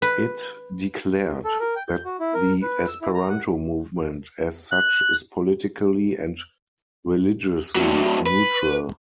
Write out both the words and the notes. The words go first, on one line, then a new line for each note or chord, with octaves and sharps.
It declared that the Esperanto movement as such is politically and religiously neutral.
B4
A4
A#4
G5
G6
F#4
E4
A#4
B4
E6
E4
A#5
F#5
F#6
A2 F#3
B4